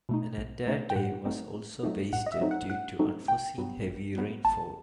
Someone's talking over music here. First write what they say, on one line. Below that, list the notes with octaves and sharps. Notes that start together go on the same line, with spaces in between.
An entire day was also wasted due to unforeseen heavy rainfall.
B2 A3 D#4
B1
B2 A3 D#4
G5
A2 F#5
F#3 A3 C4 D#4
A2
F#3 A3 C4 D#4
A2 F#5
D#5
E5
F#3 A3 C4 D#4
F#5
A2 F#5
F#3 A3 C4 D#4
A1 G5
G2 F#3 B3
A1
G2 F#3 B3
A1 A5